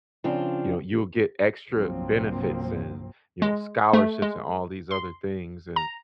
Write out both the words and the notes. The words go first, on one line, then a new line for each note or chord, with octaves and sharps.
you know, you'll get extra benefits and, you know, scholarships and all these other things, and
C#3 F3 C4 D4 F4
C2 G2 F3 F#3 A#3 C4
G#3
A3
G#3
C6
A#5